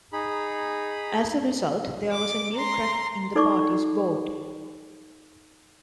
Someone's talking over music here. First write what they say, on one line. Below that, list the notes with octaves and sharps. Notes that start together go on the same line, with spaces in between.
As a result, there was a new crack in the party's board.
D#4 G#4 B5
D6
A#5 C6
D#4 A4 D5 C#6 D6